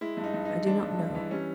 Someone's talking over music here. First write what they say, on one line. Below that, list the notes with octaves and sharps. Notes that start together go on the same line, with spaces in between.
I do not know.
G#3 E4
G2
D#4
G2
E3 D#4
G#3 D4
G2
G2
E3
G3 C#4